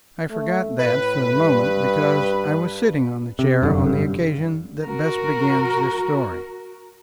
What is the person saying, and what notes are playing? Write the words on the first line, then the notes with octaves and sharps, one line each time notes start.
I forgot that for the moment because I was sitting on the chair on the occasion that best begins this story.
A3
A2 B4
G2
C3
F1 F#2 B2 D3
G2
F#4 A#4